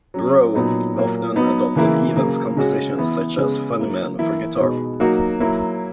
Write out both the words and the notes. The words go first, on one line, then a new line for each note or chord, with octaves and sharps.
Breau often adapted Evans's compositions, such as "Funny Man", for guitar.
F#3 C#4 F#4
A#2 F#3 B3 D#4
A#2 F#3 A#3
F#3 B3 D#4
C#3 E3 A#3 E4
C#3 F#3 A#3
C#3 G#3 C#4 F#4
E3 B3 E4
C#3 G#3 B3
F#3 A#3 E4
E3 A#3 E4
B2 G#3 B3 D#4
F#3 A#3 D#4 F#4
F#3 A#3 E4